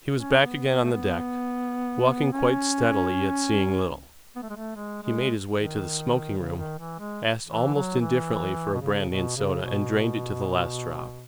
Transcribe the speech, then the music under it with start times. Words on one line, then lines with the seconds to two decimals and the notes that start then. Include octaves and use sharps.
He was back again on the deck, walking quite steadily yet seeing little. He made his way to the smoking room, asked almost indifferently for a brandy and soda, and drained it to the last drop.
0.16 C#4
0.43 B3
0.70 B3
0.81 A3
0.92 B3
2.33 C#4
4.36 B3
4.43 A3
4.50 G#3
4.56 A3
4.76 G#3
5.03 G#3
5.58 D#3
6.38 C#3
6.58 D#3
6.79 E3
6.99 G#3
7.47 E3
7.74 F#3
8.01 E3
8.73 B2
8.82 C#3
9.09 B2
9.36 C#3
9.63 B2